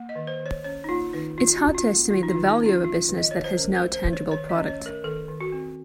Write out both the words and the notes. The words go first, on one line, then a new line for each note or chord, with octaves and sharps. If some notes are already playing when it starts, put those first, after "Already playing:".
It's hard to estimate the value of a business that has no tangible product.
Already playing: A#3
D#5
D#3
C5
D#3
C#5
C#4 C#5
D#4
A#3 F4
D#3 D#4
D#3 F4
F4
F#4
C#4
F4
A#3
D#3 F4
D#4
F4
D#3
D#4
C#4
F4
A3 F4
D#3
D#5
D#3 C#5
C5
C#4 A#4
C5
A3
C5
D#3
C#5
D#3 C#5
D#5
C#4
C#5
A3
A#4
D#3 A4
D#3
F#4
C4